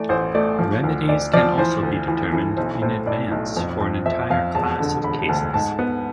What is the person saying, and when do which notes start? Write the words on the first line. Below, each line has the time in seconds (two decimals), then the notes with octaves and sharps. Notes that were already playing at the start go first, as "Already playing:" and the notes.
Remedies can also be determined in advance for an entire class of cases.
Already playing: E3 A3 D5
0.09 A1 C5
0.35 A3 D5
0.59 F3
0.84 D2
1.09 D2 D5
1.33 F3 D5
1.58 E3 C5
1.83 D2
2.08 E3
2.32 E3
2.57 B1 C5
2.82 A2 C5
3.06 A2 D5
3.31 B1
3.56 F2
3.81 F2
4.06 F2 E5
4.30 F2 F5
4.55 E1 A5
4.80 D3
5.04 E1 B5
5.29 D2 A5
5.54 G#2 A5
5.79 B3